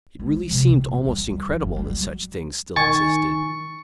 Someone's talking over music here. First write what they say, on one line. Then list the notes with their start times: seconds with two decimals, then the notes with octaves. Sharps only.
It really seemed almost incredible that such things still existed.
0.19 G#3
0.32 F3
0.51 C3
0.67 C4
0.82 A#2
0.94 E3
1.08 G3
1.30 D2
1.50 F3
1.62 F#1
1.76 G3
1.90 F#3
2.76 D#3 G#5 C#6 A6